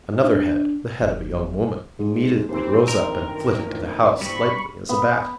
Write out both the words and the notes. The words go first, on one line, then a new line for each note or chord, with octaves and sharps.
Another head--the head of a young woman--immediately rose up and flitted to the house, lightly as a bat.
D4
F#1
G#2
D#2 A#2 E3 C4 C5
D2 G2 D#3 A#4
G2 B5 C#6
B3